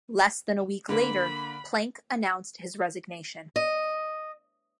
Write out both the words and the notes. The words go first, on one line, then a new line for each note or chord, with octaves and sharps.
Less than a week later, Plank announced his resignation.
D3 A#3 B5
D#5